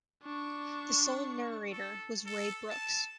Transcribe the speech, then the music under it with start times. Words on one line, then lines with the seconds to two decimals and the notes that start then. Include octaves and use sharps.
The sole narrator was Ray Brooks.
0.23 D4 C#6
1.72 A4
2.26 A4
2.70 A5